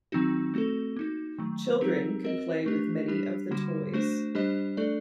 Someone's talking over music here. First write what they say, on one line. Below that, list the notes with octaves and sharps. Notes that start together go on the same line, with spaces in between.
Children can play with many of the toys.
D#3 F#3 C4 D#4 F#4
A3 C4 F#4 A4
A#3 D#4 F#4
D#3 F#3 A3
F#3 C4 D#4 G4 A#4
C4 F#4 A#4 D#5
A3 D4 G4
G3 D4 G4
D3 G3 A#3 F#4
A3 D4 F#4 C5
G3 D4 G4 C5 D#5
A3 D4 A4 D5